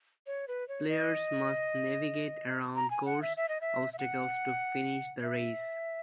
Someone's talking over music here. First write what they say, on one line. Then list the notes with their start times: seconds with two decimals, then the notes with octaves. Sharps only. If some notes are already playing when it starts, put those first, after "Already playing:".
Players must navigate around course obstacles to finish the race.
0.27 C#5
0.48 B4
0.68 C#5
0.89 D#5
2.76 A#5
2.90 G#5
3.06 F#5
3.22 E5
3.37 E5
3.49 D#5
3.61 E5
3.93 E5
3.98 F#5
5.23 E5